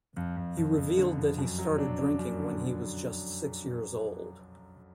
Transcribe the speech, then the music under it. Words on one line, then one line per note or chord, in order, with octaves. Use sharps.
He revealed that he started drinking when he was just six years old.
F2
F2
F2
F2
D3
F2
F#2
F#3
D4
D4
F#2
D3